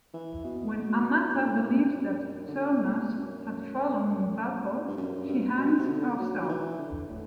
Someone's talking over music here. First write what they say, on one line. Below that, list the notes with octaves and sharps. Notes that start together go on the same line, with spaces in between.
When Amata believes that Turnus had fallen in battle, she hangs herself.
E3
B2
G2
A2
G2
F#2
F#2
D3
A2
G2
E2
F#2
G2
F#2
G2
B2
C3
D3
F#3
F#3
E3
D3
A2